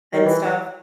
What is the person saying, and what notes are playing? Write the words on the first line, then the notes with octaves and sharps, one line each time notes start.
and stuff,
D#3
E3